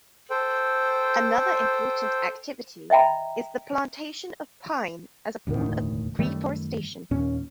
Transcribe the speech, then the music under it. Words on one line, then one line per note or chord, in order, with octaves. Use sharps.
Another important activity is the plantation of pine as a form of reforestation.
A4 C5 G5
D#5 E5 G5 A#5 B5
E1 D2 A2 D#3
F#2 D#3 G3 A3
D#2 A#2 C#4